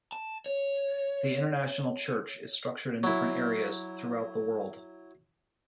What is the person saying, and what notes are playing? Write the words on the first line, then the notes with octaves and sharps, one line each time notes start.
The international church is structured in different areas throughout the world.
A5
C#5
F#3 E4